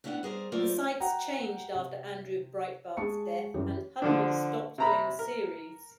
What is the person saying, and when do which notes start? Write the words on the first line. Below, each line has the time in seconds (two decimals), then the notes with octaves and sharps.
The sites changed after Andrew Breitbart's death and Hudnall stopped doing the series.
0.04 A2 B3 C#4 D4 E5 F#5
0.23 G3 G#4 A#4 C5
0.52 F#3 A3 F4 A#4 C5 D5
1.00 F#4 F#5 G5 A#5
1.75 C3
2.97 G#3 G4 G#4 A5 C#6 C#7
3.54 F#2 E3 G3 G4
4.02 D3 F3 D4
4.78 C3 A#5 B5
5.19 A#4